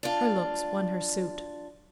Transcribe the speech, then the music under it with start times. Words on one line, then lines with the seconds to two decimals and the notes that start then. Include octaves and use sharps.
Her looks won her suit.
0.03 D4 F4